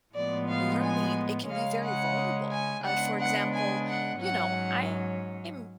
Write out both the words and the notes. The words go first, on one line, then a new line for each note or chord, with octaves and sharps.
learning, it can be very vulnerable, uh, for example, you know, I am
A2 F3 G#3 B3 D5
F5
G#5
C#3 G#3 C#4 F5
F#5
G#5
C#3 G#3 B3 D4 F#5
F#5
G#5
F#5
G#2 F#3 C#4 F#5